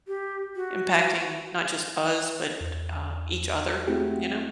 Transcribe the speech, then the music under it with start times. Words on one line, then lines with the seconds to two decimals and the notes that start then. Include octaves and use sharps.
impacting, not just us, but, uh, each other. You know?
0.07 G4
0.56 F#4
2.61 E2
3.87 G#3 A3 C4 E4 F#4 G4